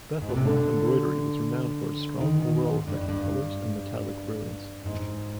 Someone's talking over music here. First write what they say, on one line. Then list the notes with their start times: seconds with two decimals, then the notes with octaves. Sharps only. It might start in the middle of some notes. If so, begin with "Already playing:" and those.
Bethlehem embroidery was renowned for its strong overall effect of colors and metallic brilliance.
0.22 G#2
0.29 B2
0.36 C3
0.45 D3
2.21 D#3
2.42 D#3
2.65 G#2
2.87 G2
3.09 G2
4.86 G#2